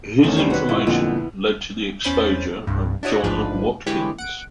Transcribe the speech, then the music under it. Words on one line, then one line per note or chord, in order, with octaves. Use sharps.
His information led to the exposure of John Watkins.
E2 D#3 A3 C#4
D#3 G3 C5
C#4 F#4 B4 F#5 B5
G#2 E4 F4 C#6
F2 A#2 D3 B3
E2 C#4 C5 B5 A6
C2 G2
D4 E4 F#4 C#5 D#5
A1 D2 G#2 F3 D4 B4
D3 E3 G#3 G4 B4 C#5
F#5 D7